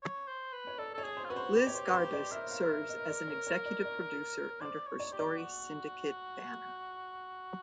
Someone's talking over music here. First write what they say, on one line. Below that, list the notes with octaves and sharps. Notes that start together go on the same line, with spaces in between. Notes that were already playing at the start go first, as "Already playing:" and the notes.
Liz Garbus serves as an executive producer under her Story Syndicate banner.
C#5
C5
B4
C#5
A4 D5
A4 C#5
G#4
C5
F4
F#4 B4
C5
G4 B4
C#5
C5
B4
C5
D5
A#4 E5
F5
E5
D#5
D5
C#5
C#5
D5
D5
C5 D5
C#5
D5
G4
D5
F#4